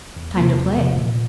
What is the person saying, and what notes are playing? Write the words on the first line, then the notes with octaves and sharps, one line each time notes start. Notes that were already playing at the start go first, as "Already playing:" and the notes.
"Time to play."
E2
C3 F3 A#3
E2
C3 F3
A#2